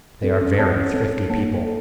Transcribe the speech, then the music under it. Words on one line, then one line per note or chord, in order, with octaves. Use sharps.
They are very thrifty people.
C4 A4
C#4
C4 C#5 F#5 A5
C#4
C4 A4
A#3 C#5 F#5 A5
A4